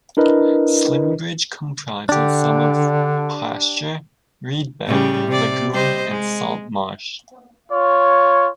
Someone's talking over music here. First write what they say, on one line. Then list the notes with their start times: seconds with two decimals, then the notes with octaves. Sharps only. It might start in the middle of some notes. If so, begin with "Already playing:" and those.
Slimbridge comprises some of pasture, reed bed, lagoon and salt marsh.
0.17 D4 E4 A#4 B4 D#5
2.09 D3 D4 G4
4.86 A2 C#3 G3
5.28 C3 D5
5.72 G3 C5 D#5
6.08 G#3
7.71 F4 C#5